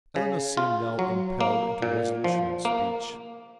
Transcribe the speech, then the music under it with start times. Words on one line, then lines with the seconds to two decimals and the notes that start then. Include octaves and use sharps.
Eleanor seemed now impelled into resolution and speech.
0.16 C#3
0.57 F4
0.99 F#3
1.41 A#3
1.82 A#2
2.24 F3
2.65 A#3